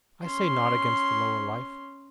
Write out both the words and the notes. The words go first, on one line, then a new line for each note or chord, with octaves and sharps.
I say naught against the lower life.
C#4 C6